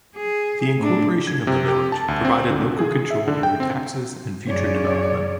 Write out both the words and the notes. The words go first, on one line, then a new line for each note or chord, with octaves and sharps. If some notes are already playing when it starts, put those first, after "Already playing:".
The incorporation of the Village provided local control over taxes and future development.
G#4
A2 D4
G#6
C3
G4
A5
D2
C4
D3
G#4
E5
D3
G5
C4
F#2 C#3 C#5 D5